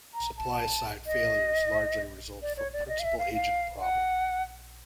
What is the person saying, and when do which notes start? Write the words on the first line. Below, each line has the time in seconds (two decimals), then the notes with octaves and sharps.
Supply-side failures largely result from principal-agent problem.
0.14 A#5
0.38 A5
1.06 D#5
2.42 D5
2.57 C#5
2.73 D5
2.88 D#5
2.99 F5
3.04 E5
3.19 F5
3.35 F5
3.80 F#5